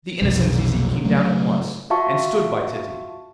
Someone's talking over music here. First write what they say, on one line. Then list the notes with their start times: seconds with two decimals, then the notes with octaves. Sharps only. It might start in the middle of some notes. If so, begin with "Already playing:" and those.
The innocent Zizi came down at once, and stood by Titty.
0.22 B1 F2 C3
1.04 C#3 F#3 A3
1.90 F4 F#4 E5 F5 A5 C#6